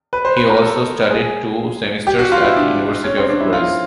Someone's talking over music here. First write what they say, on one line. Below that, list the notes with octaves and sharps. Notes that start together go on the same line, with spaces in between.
He also studied two semesters at the University of Graz.
B4
C5
B4
A#4
A4
G#4
G4
F#4
F4
E4
D4
C#4
C4
D4
E4
F4